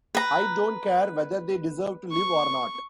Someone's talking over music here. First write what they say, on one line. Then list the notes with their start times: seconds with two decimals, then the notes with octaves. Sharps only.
I don't care whether they deserve to live or not.
0.15 B4 A#5
2.12 C#6